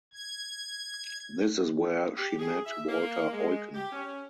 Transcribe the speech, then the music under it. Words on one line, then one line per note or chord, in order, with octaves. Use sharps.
This is where she met Walter Eucken.
G#6
G4
G#4
E5
A#3
G#3
G4
C#4